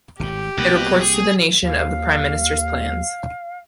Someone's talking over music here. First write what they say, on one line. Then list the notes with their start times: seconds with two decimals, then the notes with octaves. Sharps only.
It reports to the nation of the Prime Ministers plans.
0.20 G#1 A2 G4
0.58 C2 B2 A#3 B4
1.01 G#4
1.63 D#2 F5